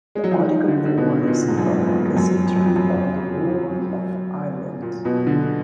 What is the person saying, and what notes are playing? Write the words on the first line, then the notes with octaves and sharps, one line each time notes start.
This article provides a gazetteer for the whole of Ireland.
G#3
F#3
F3
D#3
D3
D#3
D3
B2
B2
A#2
G#2
F#2
F2
F#2
F2
F#2
F2
F#2
A#2
B2
D3